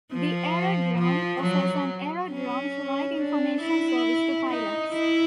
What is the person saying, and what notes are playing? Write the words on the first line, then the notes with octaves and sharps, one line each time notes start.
The aerodrome offers an Aerodrome Flight Information Service to pilots.
F3
F3
F#3
C#4
D4
E4
D#4
E4